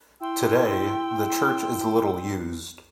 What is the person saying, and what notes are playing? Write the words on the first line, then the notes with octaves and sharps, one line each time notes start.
Today, the church is little used.
E4 G5 C6 E6